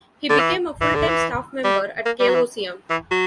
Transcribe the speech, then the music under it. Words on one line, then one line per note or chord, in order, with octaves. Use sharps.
He became a full-time staff member at Chaosium.
D3
E3
E3
D3
E3
G3
A#3
G3
F#3
E3
E3
F#3